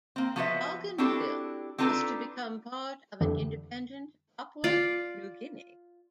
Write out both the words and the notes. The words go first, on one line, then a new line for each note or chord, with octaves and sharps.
Bougainville was to become part of an independent Papua New Guinea.
A#3 C4
F3 B3 F#4 B4 D#5 E5
C4 D4 E4 F#4 G4 A4
C4 D4 D#4 F4 A4 B4
F2 D3 E3 G3
F4 D5